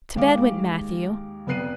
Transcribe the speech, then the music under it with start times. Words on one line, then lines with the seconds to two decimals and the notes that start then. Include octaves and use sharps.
To bed went Matthew.
0.15 D#2 G#3 F5 D6
1.47 F1 B3 B4 F#6 C7 D#7